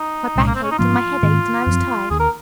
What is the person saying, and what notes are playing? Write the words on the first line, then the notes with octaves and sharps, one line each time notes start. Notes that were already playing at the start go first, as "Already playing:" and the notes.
My back ached and my head ached and I was tired.
Already playing: D#4
C2 A#2 G#3 C#4
A#3
C4
C#4
D#4
G#2 F3 A#3 C#4 F4
G#2 D#3 A#3 C#4
F#2 F3 C4
D#2 D#3 A#3 G#4
A#4